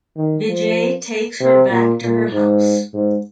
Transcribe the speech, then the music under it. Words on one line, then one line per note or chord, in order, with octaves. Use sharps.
Vijay takes her back to her house.
D#3
F3
C3
A#2
A#2
G#2
G#2